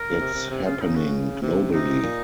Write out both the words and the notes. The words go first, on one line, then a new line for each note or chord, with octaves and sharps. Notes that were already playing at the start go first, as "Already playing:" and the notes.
It's happening globally.
Already playing: A#4
C#3
C3
C3
C3
C#3 F4
C3
C#3 D#4
F#4
C3
C3 D#4
A#2